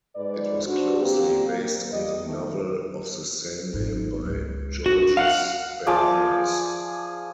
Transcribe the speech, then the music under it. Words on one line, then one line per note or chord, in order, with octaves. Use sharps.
It was closely based on the novel of the same name by Georges Bernanos.
G#2 B4 D5
D4 F#4 C5
A#2 D3 A#3 C4 G4
A#3
G3 G4 D#5
D#3 A3
G#1 D#4
C#2 G#3
D4 F#4
F5 F#5
F3 G#4 D5 D6